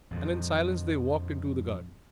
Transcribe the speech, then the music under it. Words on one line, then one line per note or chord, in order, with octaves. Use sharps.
And in silence they walked into the garden.
F2 A#2 F3